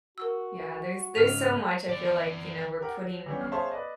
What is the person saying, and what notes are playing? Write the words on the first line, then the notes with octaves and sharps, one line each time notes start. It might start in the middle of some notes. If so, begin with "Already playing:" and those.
Yeah, there's there's so much I feel like, you know, we're putting,
F#4 A#4 E6
G#2 C#3 F6 D#7 F7
E3 D5
G4 A#4 F#5
F#3
E3 G3 B3 C#4
G1 C#4 F6
G#4 C5 C#5 E5 F5 A5
B4 D5 D#5